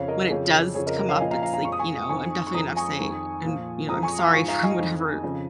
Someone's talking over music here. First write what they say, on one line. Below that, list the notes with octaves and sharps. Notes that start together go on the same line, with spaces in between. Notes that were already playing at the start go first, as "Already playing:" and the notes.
when it does come up, it's, like, you know, I'm definitely gonna have say, and, you know, "I'm sorry for whatever,
Already playing: F2 C#3 F3 C#5 F5
A#4 D#5
F2 C#3 F3 G#4 C#5
F2 C#3 F3 G#4 C#5
A#4 D#5
A#4 D#5
C#5 F5
A#2 F3 D#5 G#5
F5 A#5
F5 A#5
F5 A#5
F2 F3 C#6
D#6
G#5 C#6
F2 D#3 G#5 C#6
C#6
F2 F3 A#5 D#6
G#5 C#6
F2 D#3
A#2 F3
F2 F3 A#5 D#6
G#5 C#6
F5 A#5
G#2 F3 G#5 C#6
F5 A#5
D#5 G#5
F2 D#3
F2 C#3 F3